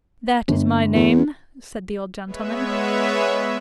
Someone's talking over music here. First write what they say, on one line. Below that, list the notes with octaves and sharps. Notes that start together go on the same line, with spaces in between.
'That is my name,' said the old gentleman.
G1
E2
G#3 B3 B4 C#5 E5